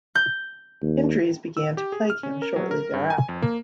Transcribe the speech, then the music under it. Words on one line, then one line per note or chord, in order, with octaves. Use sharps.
Injuries began to plague him shortly thereafter.
G6
D#2
E6
G4
G#4
F6
C#4
A#4
F#3
A#4
G2
G#5
F2
A#3